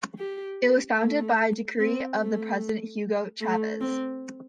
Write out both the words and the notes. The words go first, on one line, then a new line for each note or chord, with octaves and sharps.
It was founded by Decree of the president Hugo Chavez.
G4
A3
C4
A3
A3
C4